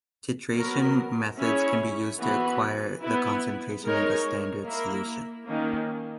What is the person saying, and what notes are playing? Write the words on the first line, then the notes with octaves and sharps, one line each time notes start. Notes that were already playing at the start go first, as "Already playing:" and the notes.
Titration methods can be used to acquire the concentration of a standard solution.
F#3 B3 F#4 A#4
C#4 E4 G#4 C#5
E3 B3 F#4 B4
B3 E4 B4
G#3 D#4 A#4 C#5
A#3 E4 A#4
D#3 A#3 C#4